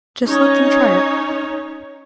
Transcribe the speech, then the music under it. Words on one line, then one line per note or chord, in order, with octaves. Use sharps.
Just let them try it.
C#4 D#4 C#5